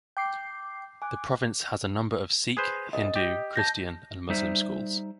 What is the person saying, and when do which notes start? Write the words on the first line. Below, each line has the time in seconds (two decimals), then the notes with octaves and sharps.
The province has a number of Sikh, Hindu, Christian, and Muslim schools.
0.17 G5 D6 G6 C7
1.02 G#5 D6 F#6
2.57 G#4 B4 C5
2.93 C2 D#5 D#6
3.16 G4
3.56 A5 G6 A#6
4.29 G3 D#4 C5 E5